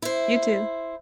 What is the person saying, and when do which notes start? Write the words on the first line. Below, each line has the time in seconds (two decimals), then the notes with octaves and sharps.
You too.
0.02 E4 C5